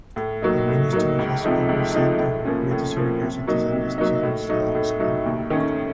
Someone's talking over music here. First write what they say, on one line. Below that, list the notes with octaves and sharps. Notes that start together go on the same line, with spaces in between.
The minister has oversight over British universities and the Student Loans Company.
A2
F#3 A#3 D#4
A2
F#3 A#3 D#4
C#2
C3 F3 A3 D#4
C#2
C3 F3 A3 D#4
A2
F3 A#3 C#4
A2
F3 A#3 C#4
C3
F#3 A#3 D#4
C3
F#3 A#3 D#4
A2
F#3 A3 D#4
A2
F#3 A3 D#4
D#2
D#3 A3 C#4